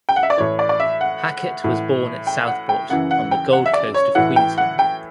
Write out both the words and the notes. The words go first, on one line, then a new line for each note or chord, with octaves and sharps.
Hackett was born at Southport on the Gold Coast of Queensland.
G5
F#5
E5
D5
A2 E3 C#5
D5
D5
E5
F#5
A2 E3
G5
F#5
G5
F#2 C#3 E3 F#5
F#5
G5
F#5
E5
D5
C#5
A2 E3 F#5
G5
F#5
G5